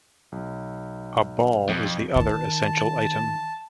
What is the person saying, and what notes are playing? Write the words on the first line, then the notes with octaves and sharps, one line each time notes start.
A ball is the other essential item.
B1
F2
D#3 A5